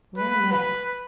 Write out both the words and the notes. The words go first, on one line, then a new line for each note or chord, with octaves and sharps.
Where next?
B4
B4